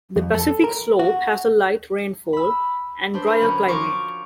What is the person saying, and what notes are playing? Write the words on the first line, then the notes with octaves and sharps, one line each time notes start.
The Pacific slope has a light rainfall and dryer climate.
F2
A4
A#4
F#4
B5 E6
D4 B4 C5
A#4 B5
F#2 D3 C#4 F#4 F#6
F3 F4 F#4 A#4 C#6 D6